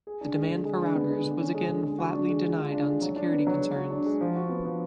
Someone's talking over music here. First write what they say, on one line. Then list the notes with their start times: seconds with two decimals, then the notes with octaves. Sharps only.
The demand for routers was again flatly denied on security concerns.
0.07 G#4
0.21 D4
0.35 G#3
0.50 D3
0.65 G#3
0.81 D4
0.95 B3
1.10 G#3
1.25 D3
1.40 C#4
1.55 G#3
1.69 D3
1.83 G#3
1.98 F#4
2.14 D4
2.29 G#3
2.43 G#4
2.57 F4
2.72 D4
2.87 G#3
3.02 F#3
3.16 D4
3.32 B3
3.47 F#3
3.61 G#3
3.76 F#4
3.90 D4
4.06 G#3
4.21 F3
4.36 F#4
4.49 B3
4.65 F3